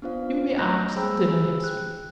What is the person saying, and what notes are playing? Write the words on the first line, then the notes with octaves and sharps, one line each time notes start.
You'll be asked to dinner next week.
B3 D4 F4 C5 F5
A3 D#5 A#5 F#6 G6 A#6
G#4 C5 G5 B5 E6
F#6